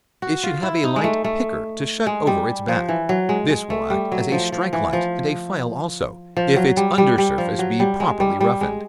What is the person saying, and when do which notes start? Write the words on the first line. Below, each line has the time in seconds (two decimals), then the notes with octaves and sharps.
It should have a light "picker" to shut over its back; this will act as a strike-light, and a file also, if its under surface be properly roughened.
0.22 F#4
0.43 F4
0.63 E4
0.84 D#4
0.96 G#3
1.04 A3
1.24 A3
2.07 G#3
2.27 G3
2.68 F3
2.89 E3
3.09 F#3
3.29 G#3
3.50 G#3
3.70 A3
3.90 G3
4.12 F#3
4.32 F3
4.52 F3
4.73 E3
4.93 F3
6.37 F3
6.56 F#3
6.77 G3
6.98 G3
7.18 G3
7.38 F3
7.59 F#3
7.80 G3
8.00 G#3
8.20 G3
8.41 G3
8.61 G#3